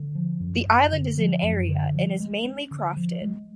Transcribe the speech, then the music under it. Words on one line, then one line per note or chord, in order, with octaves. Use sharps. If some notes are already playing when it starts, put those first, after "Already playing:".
The island is in area and is mainly crofted.
Already playing: D3
F3
F#2
F#2
D3
F3
F#2
D3
F3
G#3
C#4
D3
F3
G#3